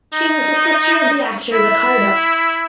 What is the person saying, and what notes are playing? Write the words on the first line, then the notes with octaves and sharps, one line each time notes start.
She was the sister of the actor Ricardo.
D#4
E4